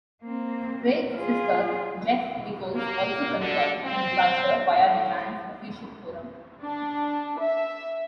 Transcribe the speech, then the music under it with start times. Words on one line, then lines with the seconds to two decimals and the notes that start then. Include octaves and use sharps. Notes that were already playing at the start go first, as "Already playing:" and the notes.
Craig's sister, Jess Nicholls, also confirmed their departure via the band's official forum.
0.23 A#3 C4
1.18 F4 G#4
2.75 A#3
3.41 D3
3.84 C4
4.73 A2
6.63 D4
7.40 E5